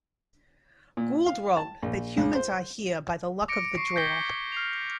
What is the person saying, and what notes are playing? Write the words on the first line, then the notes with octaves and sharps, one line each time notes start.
Gould wrote that Humans are here by the luck of the draw.
A#2
F5
A5
A#1
C#2
C5
D6 A#6 C#7 D7
C#6 C7
G6 G#6 A#6 B6 G7
F6 C7 F7